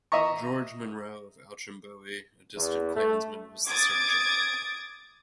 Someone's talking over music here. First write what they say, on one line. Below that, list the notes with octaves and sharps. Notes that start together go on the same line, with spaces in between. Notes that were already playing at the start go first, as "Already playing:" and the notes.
George Munro of Auchinbowie, a distant clansmen, was the surgeon.
D#5 E5 A#5 C#6
E2
A3
D6 D#6 G#6 A6 D7